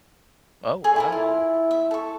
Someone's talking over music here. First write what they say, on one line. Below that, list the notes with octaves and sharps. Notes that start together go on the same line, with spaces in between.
Oh wow,
G#4 A4 C#5 G#5
E4 G4 A#4
E4 F4
E5
A4 C#6